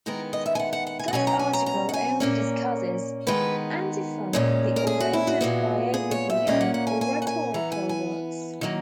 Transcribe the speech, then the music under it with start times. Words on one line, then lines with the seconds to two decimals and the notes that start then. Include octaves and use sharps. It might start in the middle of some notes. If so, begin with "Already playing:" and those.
This article only discusses Antiphon the Orator's biography and oratorical works.
0.06 D#3 G#3 B3 A#4
0.33 D#5
0.46 E5
0.55 G#5
0.59 F#5
0.73 F#5
0.87 F#5
0.99 G#5
1.08 F#5
1.13 B2 F#3 C#4 G#5
1.27 A#5
1.39 G#5
1.53 A#5
1.66 A#5
1.89 F#5
1.93 G#5
2.20 A#2 A#3 C#4
3.27 D#3 G#3 B3 B4
4.33 A#2 G#3 C#4
4.76 A#4
4.87 G#4
5.00 F#4
5.13 E4
5.27 F#4
5.41 A#2 G#3 B3
5.94 G#4
6.11 C#5
6.30 E5
6.47 A#2 A#3 C#4 D#5
6.61 F#5
6.74 F#5
6.87 G#5
7.01 G#5
7.22 F#5
7.27 G#5
7.54 E3 B3 A#5
7.72 G#5
7.89 G#5
8.61 D#3 F#3 A#3